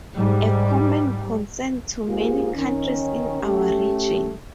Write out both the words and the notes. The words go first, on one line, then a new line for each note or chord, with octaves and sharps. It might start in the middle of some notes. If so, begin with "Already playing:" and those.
A common concern to many countries in our region.
G#2 G3
G#2 A#3 F4 G4 G#4
D#3 C#4
A3 C#4 G4